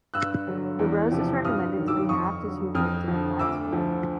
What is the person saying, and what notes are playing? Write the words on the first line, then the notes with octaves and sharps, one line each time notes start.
The rose is recommended to be half to two-thirds of the flag's width.
G2 E6 F#6
D3 F#3
E2
C3 F3
G2 D#6 F6
D#3 F#3
D6 E6
F2 C#6 D#6
D3 F#3
F2 D#6 F6
D3 F3
D2 D6 E6
D3 F3